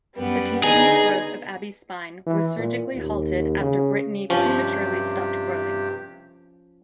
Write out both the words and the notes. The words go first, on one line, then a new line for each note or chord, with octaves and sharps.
The continued growth of Abby's spine was surgically halted after Brittany prematurely stopped growing.
F#2 G3 B3
D3 B3 D#4 G#4
E3
A#2
D#2
C#3
G2 C3 F3 C#4 G4